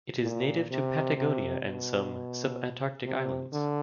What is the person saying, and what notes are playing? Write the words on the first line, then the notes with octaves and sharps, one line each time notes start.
It is native to Patagonia and some subantarctic islands.
A#2
C3
C3
B2
C3
D3